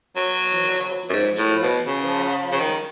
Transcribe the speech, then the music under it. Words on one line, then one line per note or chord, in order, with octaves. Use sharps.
you know, eat and chew up his bed,
F#3
F#2
G#2
A2
B2
C#3
C#3
D#3